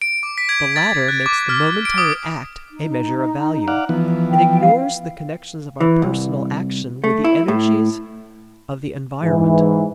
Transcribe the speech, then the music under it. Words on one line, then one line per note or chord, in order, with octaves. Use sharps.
The latter makes the momentary act a measure of value, and ignores the connections of our personal action with the energies of the environment.
D7
D6
B6
G#6
A6
F#6
D6
F6
D7
D#6
D#4
D5 F5 F#5
E3 F3 B3
G5
F5
E3
C2
A3
E4
A2
G#2 E3